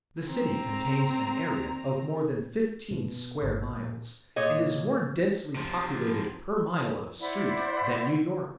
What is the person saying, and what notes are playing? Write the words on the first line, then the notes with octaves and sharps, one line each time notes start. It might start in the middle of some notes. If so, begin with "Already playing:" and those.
The city contains an area of more than fifteen square miles and is more densely populated per mile of street than New York.
C4 A#5
B2
G1
A#2
A#2 C#5 D#5
C3 F3
E4 C5 D5 F#5